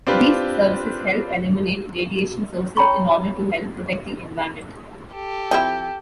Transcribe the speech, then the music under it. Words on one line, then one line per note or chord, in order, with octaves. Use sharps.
These services help eliminate radiation sources in order to help protect the environment.
C4 D4 F4 G4 B4
C#5 G5 A#5 B5 C#6
G4 A4
F3 C4 E4 G5